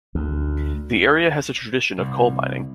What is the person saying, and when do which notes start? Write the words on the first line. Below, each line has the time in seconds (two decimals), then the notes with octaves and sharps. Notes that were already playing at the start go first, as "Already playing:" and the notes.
The area has a tradition of coal mining.
0.15 D2
1.98 C2